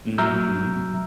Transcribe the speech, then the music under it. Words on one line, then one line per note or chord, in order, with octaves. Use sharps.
Mhm, mhm.
F#3 E5 A#5 E6 F6 G6